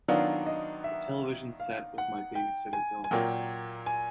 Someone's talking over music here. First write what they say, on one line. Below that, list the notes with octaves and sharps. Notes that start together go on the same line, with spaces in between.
The television set was my babysitter growing up.
D#3 F#3 B3 D4 F4 D5
D#5
E5
F5
F#5
G5
G#5
G#5
A#2 F#3 A#3 G5
G#5